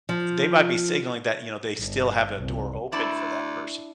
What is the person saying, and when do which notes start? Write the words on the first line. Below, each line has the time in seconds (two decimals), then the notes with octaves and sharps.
they might be signaling that, you know, they still have a door open for that person.
0.09 F3
1.79 G1
2.38 C2
2.92 D2 D4 E4 D5